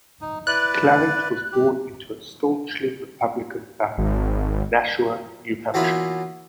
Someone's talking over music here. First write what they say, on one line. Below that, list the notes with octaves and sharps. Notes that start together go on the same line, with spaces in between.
Clarridge was born into a "staunchly Republican family" in Nashua, New Hampshire.
D#4
E4 B4 D5 F#6
G4
G#1
E3 F#3 A#3 B3 E4 F4